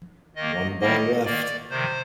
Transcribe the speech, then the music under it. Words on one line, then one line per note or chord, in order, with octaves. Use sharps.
One ball left.
D#3 A#3 D#5
D#3 G3 A#3 D#5
D#3 A#3 D5
C3 D#3 C5